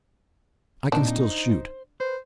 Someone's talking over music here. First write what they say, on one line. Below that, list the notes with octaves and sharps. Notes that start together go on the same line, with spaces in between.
I can still shoot.
A#2 C4 D4 D#4
C5
B4 C5